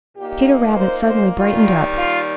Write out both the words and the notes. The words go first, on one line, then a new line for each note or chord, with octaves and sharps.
Peter Rabbit suddenly brightened up.
A#2 A#3 D#4 G4
C5
C5
D#2 D#3 G3 F4
F4